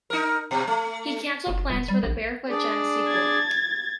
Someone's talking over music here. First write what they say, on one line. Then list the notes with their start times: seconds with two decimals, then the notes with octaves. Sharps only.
He cancelled plans for a "Barefoot Gen" sequel.
0.10 D#4 A#4
0.51 B2
0.67 A3
1.47 F#1
1.70 D#1
1.88 G3
2.03 A#1
2.49 D4 G#4 D5
3.08 G#6 A6